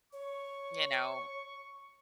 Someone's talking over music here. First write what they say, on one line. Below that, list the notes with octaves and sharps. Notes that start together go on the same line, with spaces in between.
you know,
C#5 C#6